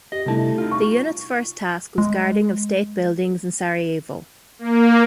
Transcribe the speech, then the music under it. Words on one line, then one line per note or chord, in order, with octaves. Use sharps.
The unit's first task was guarding of state buildings in Sarajevo.
G4 D#5
C3 G3 A3 E4 A5
D#4 F4
C#6
G#3
A#3